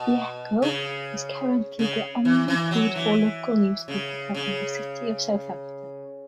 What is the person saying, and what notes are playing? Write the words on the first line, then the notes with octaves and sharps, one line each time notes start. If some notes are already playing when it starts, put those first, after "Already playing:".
The "Echo" is currently the only paid-for local newspaper covering the city of Southampton.
Already playing: B2
C#3
C#3
E3
E3
F#3
E3
C#3
C#3